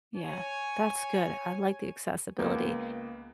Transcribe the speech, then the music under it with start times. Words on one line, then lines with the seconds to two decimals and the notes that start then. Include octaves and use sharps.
Yeah, that's good. I like the accessibility.
0.16 C#5 G#5
2.38 C#2 A#3 B3